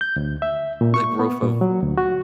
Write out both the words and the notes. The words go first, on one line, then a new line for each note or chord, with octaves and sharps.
the growth of
G6
D2
E5
A#2
C#6
B3
A#2
F#3
D2
F#4